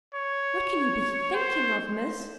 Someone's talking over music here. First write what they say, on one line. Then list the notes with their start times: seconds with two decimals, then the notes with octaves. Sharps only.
What can you be thinking of, Miss?
0.14 C#5
1.34 C5